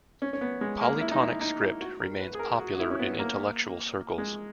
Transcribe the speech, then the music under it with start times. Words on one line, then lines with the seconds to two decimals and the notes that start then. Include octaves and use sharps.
Polytonic script remains popular in intellectual circles.
0.22 C#4
0.33 C#4
0.41 B3
0.61 G#3
0.81 A#3
1.01 E4
1.11 D#4
1.21 E4
1.34 E4
1.41 D#4
1.60 E4
1.81 F#4
2.00 A#4
2.20 B4
2.35 G#4
2.39 A#4
2.59 F#4
2.75 F#4
2.79 E4
2.90 C#4
2.99 B3
3.19 A#3
4.18 G#3